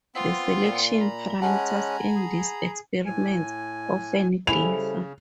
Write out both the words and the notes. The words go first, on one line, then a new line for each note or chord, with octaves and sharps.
The selection parameters in these experiments often differ.
B3 C4 F4
A#2
A#5 B5
G#3 C#4 F#5 G#5 A5 F#6
G#4
A2 G#5
C#3 G3 E4 A4 C5 G#5 F7